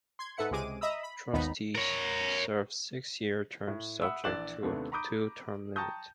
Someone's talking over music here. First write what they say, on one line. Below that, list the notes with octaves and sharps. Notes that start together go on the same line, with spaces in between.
Trustees serve six-year terms subject to a two-term limit.
C6 G#6
G#2 A4 B4 E5 F#5 C#7
C#2 C3 G#3 G#4 D6 D#7
D#5 E5 A#5 B5 D#6 E6
B5
G#1 D#2 B3 D#4 A#5 B5
A#4 C#5
A2
E5 F#5 B5 D#6 E6
A#1 E3 D5 F#6 E7 F#7
D#2 C3 A3 B3 D4
A#5 B5 D6 D#6 G6 D7
G5 A5 A#5 C#6 D#6 G6